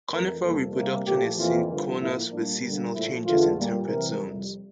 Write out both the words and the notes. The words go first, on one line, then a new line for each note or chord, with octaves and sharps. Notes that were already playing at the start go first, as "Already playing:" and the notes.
Conifer reproduction is synchronous with seasonal changes in temperate zones.
F2 E3 A3 A#4
F2 C3 G3 A#3 A4
C3 G3 A#3
A#2 F3 A3 G4
F2 E3 A#3 F4
G2 D3 F3
A2 F3 A#3 E4
A#2 G3 A#3 D4
G2 D3 G3 A#3
A#2 F3 A3 E4
E2 D3 A3 F4
A#2 G3 A#3
C3 E3 G3 A#4
F2 C3 G3